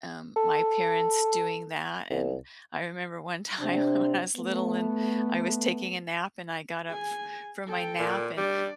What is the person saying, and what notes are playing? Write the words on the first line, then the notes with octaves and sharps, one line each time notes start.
um, my parents doing that, and I remember one time when I was little, and I was taking a nap and I got up f from my nap, and,
A4
C2
C3 C4 D4
A3 B3
G#4 G#5
A4 G5
A#2
G3 D4 D5